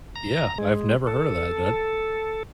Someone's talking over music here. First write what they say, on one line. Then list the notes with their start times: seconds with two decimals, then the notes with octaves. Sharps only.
Yeah, I've never heard of that, but,
0.16 A#5
0.58 G#3
1.07 A4